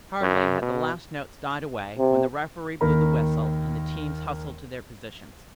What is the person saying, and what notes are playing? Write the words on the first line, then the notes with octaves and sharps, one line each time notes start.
Hardly had the last notes died away, when the referee blew the whistle and the teams hustled to their positions.
F#2
B2
C3
D#2 D#3 A#4 B5